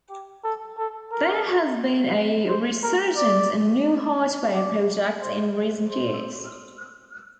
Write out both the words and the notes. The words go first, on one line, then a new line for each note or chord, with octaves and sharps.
There has been a resurgence in new hardware projects in recent years.
G4
A4
A4
A#4
C5
A#4
D5
D5
C5
C5